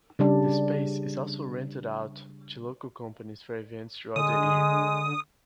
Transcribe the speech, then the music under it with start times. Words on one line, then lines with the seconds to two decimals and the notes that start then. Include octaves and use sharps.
The space is also rented out to local companies for events throughout the year.
0.19 C#3 G3 D4
4.16 D3 G#3 D#6